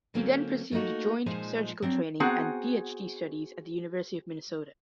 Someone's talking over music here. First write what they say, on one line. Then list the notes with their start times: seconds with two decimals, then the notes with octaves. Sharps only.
He then pursued joint surgical training and Ph.D. studies at the University of Minnesota.
0.14 D3 F#3 A#3 C4 C#4
0.71 A3 A#3 D4 D#4 F#4
1.26 A#2 F3 G#3 D#4 C5 G#5
1.82 F#3 C4 D4
2.20 B3 C4 F#4 G#4 F#5 A#5